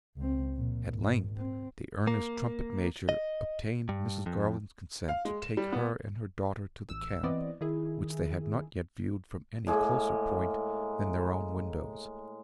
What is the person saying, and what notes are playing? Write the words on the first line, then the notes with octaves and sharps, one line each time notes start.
At length the earnest trumpet-major obtained Mrs. Garland's consent to take her and her daughter to the camp, which they had not yet viewed from any closer point than their own windows.
C#2 C4
A#1 A#2
G#1
C4
A#3
D#5
G2
F2
F5
G#3
E7
G3
B3
A1 E6
E3 B3 C4 E4 D5 D#5
D#3 E4 G#4
A2 G#3 A#3